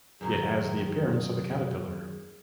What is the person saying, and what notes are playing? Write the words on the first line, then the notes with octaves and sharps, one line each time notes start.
It has the appearance of a caterpillar.
F#2 D#3 F#3 G#4